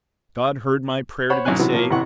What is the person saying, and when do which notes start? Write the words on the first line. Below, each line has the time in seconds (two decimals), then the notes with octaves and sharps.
God heard my prayer to be saved.
1.30 C5 C#5 F#5 B5 C#6
1.45 B1 A2 C#4 G#5 F#6
1.59 C3 D#3 E3 F#3 B3
1.74 A2 F3 A#3
1.90 A1 C3 E3 E4 F#5 C#6